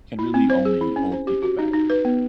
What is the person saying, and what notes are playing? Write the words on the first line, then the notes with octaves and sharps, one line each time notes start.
can really only hold people back.
E4
C4
C5
G#4
E4
C#4
C5
G4
F#4
D#4
D#4
B4
B3